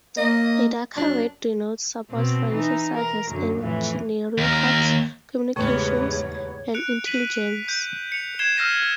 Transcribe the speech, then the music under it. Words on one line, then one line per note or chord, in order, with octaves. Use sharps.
A darker red denotes support branches such as Engineering Corps, Communications, and Intelligence.
A#3 D#5
F#2 F#3 D4
B2 C4
E3 D#4
A#4
F#2 D3
F2 A2 E3
D#2 A#4
E2 G#2 C#3 G3 A3 B3 A4 C#5
F#6 C#7 D7 F7
B6 D7 D#7 F#7
G6
C#7 F7
G#6 C7 E7 G7
E6 F6 G6 A#6 C7 D#7